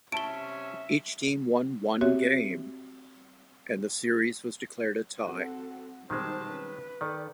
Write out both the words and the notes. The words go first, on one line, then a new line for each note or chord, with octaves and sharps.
Each team won one game and the series was declared a tie.
C3 C#4 E5 A5 D7 G7
C4 F#4 G4 C#5 E5
C4 F#4 A4
B1 D#3 G3 G#3 C4 C5 A5
C#4 B4
D#3 A4 D5